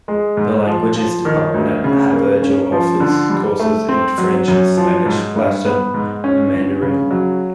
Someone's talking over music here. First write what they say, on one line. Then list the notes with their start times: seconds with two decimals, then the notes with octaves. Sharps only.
The Languages Department at Havergal offers courses in French, Spanish, Latin, and Mandarin.
0.08 G#3
0.37 G#2
0.67 F3
0.96 F3
1.25 D#3
1.54 D2
1.84 C#3
2.13 A#3
2.43 C#4
2.72 F3
3.00 D3
3.30 G3
3.59 A3
3.89 C4
4.18 F#3
4.48 F#2
4.77 F3
5.05 G#2
5.36 G2
5.65 B3
5.94 G#2
6.24 C#4
6.53 G1
6.82 C#3
7.11 F#3